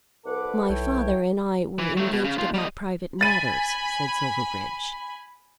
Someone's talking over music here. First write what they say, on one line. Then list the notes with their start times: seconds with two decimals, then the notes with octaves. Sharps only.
"My father and I were engaged about private matters," said Silverbridge.
0.25 C2 A4 B4 F#5 D6
0.69 B1 E4 C#5 G5
1.79 E3
1.97 F#3 A3
2.13 B2
2.24 C#3
2.38 D#2 F4
2.54 G3 D#5
3.21 G#5 B5 A6 D#7